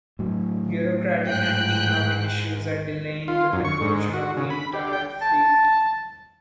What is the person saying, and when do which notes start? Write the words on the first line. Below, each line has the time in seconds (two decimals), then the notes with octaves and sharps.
Bureaucratic and economic issues are delaying the conversion of the entire fleet.
0.19 A2 F#3
1.26 G#2 G5 F#6
3.28 F4
3.53 F#2
3.65 C#6
3.81 G#2
4.13 F#4
4.37 C#3
4.50 B5
4.73 G4
4.93 G5
5.22 A5